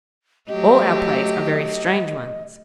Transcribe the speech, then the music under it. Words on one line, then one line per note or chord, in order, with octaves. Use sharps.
All our plays are very strange ones.
F#3 A3 G4 D#5